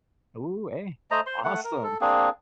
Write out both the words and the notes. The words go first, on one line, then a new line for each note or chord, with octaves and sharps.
Ooh, hey. Awesome.
A3 C5 D#5 A#5
C5 C6
A3 F#5
A#4
A4
A#3 C4 D4 G#4